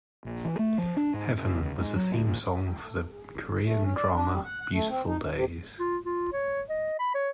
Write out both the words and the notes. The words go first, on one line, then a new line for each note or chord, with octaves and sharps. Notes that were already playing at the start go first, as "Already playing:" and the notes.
Heaven was a theme song for the Korean drama "Beautiful Days".
A#1
E3
A3
F3
D4
G#2
F#1
C#2
G#2
F#3
D2
A#1
A3
C#4
D5
D4
G3
F#5
F#5
A3
C4
D#4
F#2
C3
F4
F4
C#5
D#5
B5
C#5